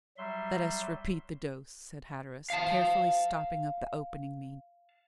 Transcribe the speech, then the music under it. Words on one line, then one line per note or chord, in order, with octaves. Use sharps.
"Let us repeat the dose," said Hatteras, carefully stopping up the opening meantime.
F#3 G3 E5 C6
F5 A5